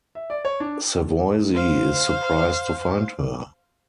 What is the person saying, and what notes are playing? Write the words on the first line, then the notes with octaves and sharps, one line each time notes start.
Savoisy is surprised to find her.
E5
D5
C#5
D4
C5 F5